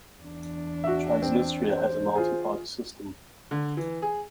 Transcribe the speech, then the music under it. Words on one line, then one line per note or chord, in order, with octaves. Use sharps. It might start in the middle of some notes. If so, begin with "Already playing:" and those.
Transnistria has a multi-party system.
E2 D4
F#4 E5
C4
C5
F4 G#4
D3
E3
G#4